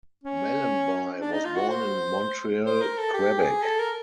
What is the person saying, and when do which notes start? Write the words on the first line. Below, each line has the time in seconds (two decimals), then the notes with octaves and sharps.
Mellanby was born in Montreal, Quebec.
0.24 C#4
1.20 D4
1.32 D#4
1.45 F4
1.56 F#4
1.69 C5
2.66 C5
2.82 A#4
2.98 A4
3.14 G4
3.39 G#4
3.63 A4
3.80 A#4